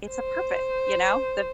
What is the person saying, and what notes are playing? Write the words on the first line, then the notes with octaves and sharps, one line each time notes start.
"It's a purpose," you know? The
C5